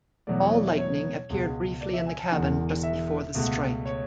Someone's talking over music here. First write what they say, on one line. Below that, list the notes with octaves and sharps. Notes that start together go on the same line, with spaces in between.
Ball lightning appeared briefly in the cabin just before the strike.
E2 B2 F#3 A3 D5
C#5
D5
E5
C#5
C#2 B2 G#3
D5
E5
G#5
A5
E1 E2 D3 F#5
E5
C#2 B2 A3
C#5